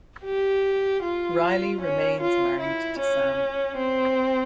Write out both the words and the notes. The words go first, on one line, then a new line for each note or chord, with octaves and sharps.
Riley remains married to Sam.
G4
F4
C#4
F4
E4
C#4
C4